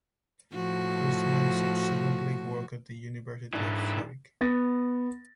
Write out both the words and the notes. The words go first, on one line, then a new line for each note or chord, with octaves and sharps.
Christman subsequently worked at the University of Zurich.
A2 F3 F#4
G#2 E3 D4
B3 A6 A#6